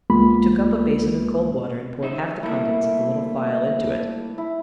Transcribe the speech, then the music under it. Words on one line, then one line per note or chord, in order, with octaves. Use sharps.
He took up a basin of cold water, and poured half the contents of the little phial into it.
C#2 G#3 A#3 B3 F4 B5
F#3 D#4 E5
G3 A3 A#3 E4
E4